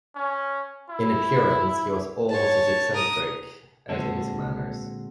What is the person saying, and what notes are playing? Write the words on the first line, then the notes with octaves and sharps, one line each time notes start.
In appearance he was almost as eccentric as in his manners.
C#4
E4
C#5 A5
A#4 D#6
A#2 D3 G#3 C4 F#4 A4